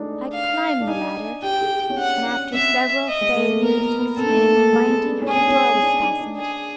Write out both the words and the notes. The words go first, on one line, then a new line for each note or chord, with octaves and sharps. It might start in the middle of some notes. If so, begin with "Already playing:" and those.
I climbed the ladder, and after several failures succeeded in finding how the door was fastened.
Already playing: G#3 A3 D4 D#4
F5
D4
D#4 G#5
G4 G5
G#4
G4
C#4
D4 F#5
C#4
C4 E5
D#5
G#3
A3
A#3
B3 A#4
B3
B3
C4 A4
A3
A#3
A#3
G#3
B3
D4
C#4
G#4
C4
C#4
C#4
D4
D#4
D4
G#4